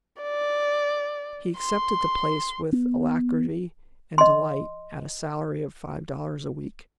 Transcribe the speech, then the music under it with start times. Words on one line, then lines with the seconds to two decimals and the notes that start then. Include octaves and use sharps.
He accepted the place with alacrity and delight, at a salary of five dollars a week.
0.22 D5
1.58 C6
2.72 B3
4.18 D#5 C6